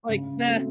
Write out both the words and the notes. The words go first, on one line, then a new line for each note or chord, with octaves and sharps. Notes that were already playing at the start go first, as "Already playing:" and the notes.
Like the
C#3
F#3 A3 C4